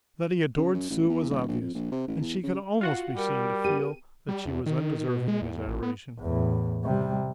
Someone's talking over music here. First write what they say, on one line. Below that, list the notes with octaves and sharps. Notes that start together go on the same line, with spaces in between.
That he adored Sue was obvious; and she could almost be seen to feel that she was undeserving his adoration.
C#3
F#2
A1
E2
D#1
A#1
F2
A#1
C3
A1
E2
C#3
F4 F#4 F5 F#5
G3 A#4
B3 G4 D#7
G3
E2
D#3
B2
G#3
E2
A1
B3
E2 A2
C3 G3